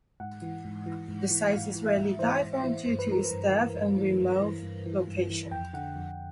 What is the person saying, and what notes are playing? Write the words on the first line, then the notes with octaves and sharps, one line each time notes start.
The site is rarely dived on due to its depth and remote location.
G#2 F#5
E3
G#2
E3
G#2
E3
G#2 F5
E3
E5
G#2
E3 C5
G#2
E3
G2 C5
B4
E3 A#4
B4
G2
E3 F5
G2
E3
G2
E3
G2
E3
G2
E3
F2 G5
D3 F#5
F2